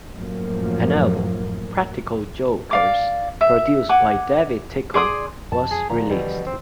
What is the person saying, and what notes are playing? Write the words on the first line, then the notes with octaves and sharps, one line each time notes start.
An album, "Practical Jokers", produced by David Tickle, was released.
F#2 A2 F3 A#3
D5 F5 D6
E5
F#5 G#5 D6
G#4 D5 C6 D#6
F2 A5
G#4
A#2 D3 F3 A#5
B2 E3 G3
C4